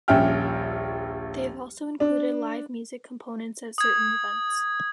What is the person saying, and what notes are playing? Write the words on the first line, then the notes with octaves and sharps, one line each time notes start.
They have also included live music components at certain events.
D#1 A#1 C#4 E5 G5 F6
D4
D#6 G#6